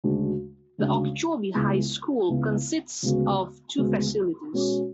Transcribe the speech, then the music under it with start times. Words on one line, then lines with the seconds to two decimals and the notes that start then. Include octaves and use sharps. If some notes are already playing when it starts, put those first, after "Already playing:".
The Okeechobee High School consists of two facilities.
0.04 D2 C#3 G#3 D4 F#4
0.78 D2 C#3 G#3 D4 F#4
1.54 C#2 C#3 G#3 B3 E4
2.29 C#2 C#3 G#3 B3 E4
3.03 D2 C#3 G#3 B3 F#4
3.78 D2 C#3 G#3 B3 F#4
4.53 B2 G#3 C#4 F#4